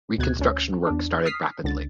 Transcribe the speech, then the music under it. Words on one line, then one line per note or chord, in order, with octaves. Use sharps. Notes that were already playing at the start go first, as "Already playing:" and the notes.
Reconstruction work started rapidly.
D2 B2 F#6 G#6
D2 C#4
E2 D4
D#6 F6 B6 C7
C#2 D3 A6